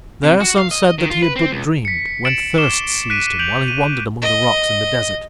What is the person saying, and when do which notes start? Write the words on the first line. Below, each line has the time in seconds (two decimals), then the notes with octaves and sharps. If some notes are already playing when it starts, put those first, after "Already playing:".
There some said that he had but dreamed when thirst seized him while he wandered among the rocks in the desert.
0.23 C3
0.40 F#4
0.58 F5
0.71 D#5
0.98 D#3
1.10 F4
1.22 B4
1.36 C4
1.51 C#2
1.85 B6 C#7
2.25 A6 C#7 D7 E7 F#7
2.58 C#6 D6 C7 E7 G7
3.10 F#6 B6 D7 D#7
3.39 G6 D7 F7 F#7
3.68 D#7
4.22 D#5